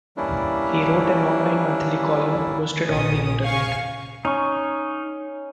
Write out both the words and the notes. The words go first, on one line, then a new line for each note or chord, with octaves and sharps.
He wrote an online monthly column posted on the Internet.
E3 G3 A#3 C#4 D4 E4
A#1 C#3 C#4 D#6
F5 G#5 C#6
C#4 D#4 C#6